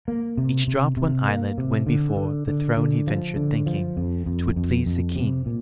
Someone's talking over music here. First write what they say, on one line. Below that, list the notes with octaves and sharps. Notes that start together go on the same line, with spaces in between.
Each dropped one eyelid when before The throne he ventured, thinking 'Twould please the king.
A#3
C3
C3
C3
A#3
C3
D3
D3
D3
D3
F3
D3
F3
F2
F2
F2
F2
C3
A#2